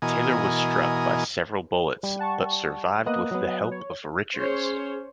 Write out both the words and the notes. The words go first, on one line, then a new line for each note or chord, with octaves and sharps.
Taylor was struck by several bullets but survived with the help of Richards.
B2 E3 A#4 D#5 G#5
G3
F#5 A5 C#6
A#3 B3 D#5 D#6 F#6
F#3 B3
C#5
C#4 G#4 C5 C#5